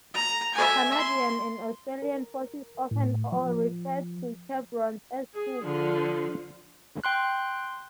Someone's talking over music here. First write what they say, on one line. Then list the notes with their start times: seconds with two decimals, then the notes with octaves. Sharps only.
Canadian and Australian Forces often refer to chevrons as "hooks".
0.14 A#5
0.54 E5 G#5
0.97 C6
2.02 A#4
2.91 A2
3.32 F3
5.34 G#4
5.63 D3 F3
7.04 G5 C6 F#6